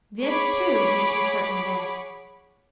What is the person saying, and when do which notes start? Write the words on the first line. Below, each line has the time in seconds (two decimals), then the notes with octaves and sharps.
This, too, went to certain death.
0.22 G#4 C#5 F#5 B5 C#6 D6